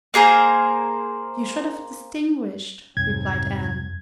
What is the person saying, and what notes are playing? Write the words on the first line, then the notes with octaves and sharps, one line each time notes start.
"You should have distinguished," replied Anne.
A#3 G#4 A#4 C5
C2 F2 G#2 F#3 C4 G#6